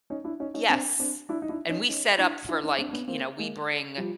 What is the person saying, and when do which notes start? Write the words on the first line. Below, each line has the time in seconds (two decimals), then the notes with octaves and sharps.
Yes, and we set up for, like, you know, we bring
0.10 C#4 D#4
0.24 D4 E4
0.40 C#4 D#4
0.54 C#4 D#4
0.70 C4 D4
0.99 C4 D4
1.29 D4 E4
1.42 D#4
1.49 D4 E4
1.69 C#4 D#4
1.88 C#4 D#4
2.18 D4 E4
2.48 D4 E4
2.63 C#4 D#4
2.78 C4 D4
2.89 D4
2.93 B3 C#4
3.08 A#3 C4
3.38 G#3 A#3
3.97 F3 G3